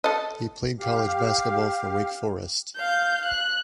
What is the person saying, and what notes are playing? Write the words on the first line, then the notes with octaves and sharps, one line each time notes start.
He played college basketball for Wake Forest.
A4 D#5
G4 F5
F5 G6
F#6